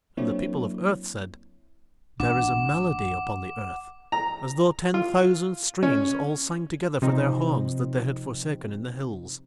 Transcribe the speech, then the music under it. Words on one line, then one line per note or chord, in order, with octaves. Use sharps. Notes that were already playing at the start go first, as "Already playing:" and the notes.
And the People of Earth said: "There is a melody upon the Earth as though ten thousand streams all sang together for their homes that they had forsaken in the hills."
F#3 A#3 C4 D4 E4 C#5
A1 D4 F#5 D6
A#5
F4
C#4
C3 F3 C4 D#4